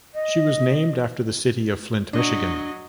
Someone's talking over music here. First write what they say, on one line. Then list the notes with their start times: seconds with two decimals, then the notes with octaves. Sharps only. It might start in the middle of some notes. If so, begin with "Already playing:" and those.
She was named after the city of Flint, Michigan.
0.14 D#5
2.13 F#3 D4 D#5